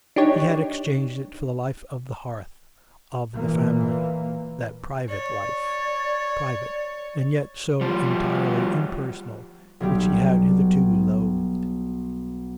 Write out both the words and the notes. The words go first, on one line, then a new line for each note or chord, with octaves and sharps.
He had exchanged it for the life of the hearth, of the family; that private life--private, and yet so entirely impersonal-which he had hitherto loathed.
D4 D#4 G4 C#5
A#2 E3 A#3
C#5 D5
F3 G3
B1 F#3 G3 G4